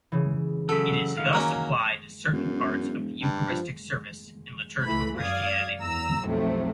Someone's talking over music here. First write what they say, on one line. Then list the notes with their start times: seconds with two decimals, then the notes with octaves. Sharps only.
It is thus applied to certain parts of the Eucharistic service in liturgical Christianity.
0.12 C#3 E3
0.69 C#3 F#3 F#4 A4 B6
1.17 D#3 F5
1.33 F#3 A#3 C#4
2.33 E1 F#2
3.22 G2
3.51 F3
4.84 C#2 E3 A3 B5
5.19 F#2 D5 F5 D#6 G#6
5.81 E2 A#5 E6
6.25 B1 F2 A2 C3 F#3 A3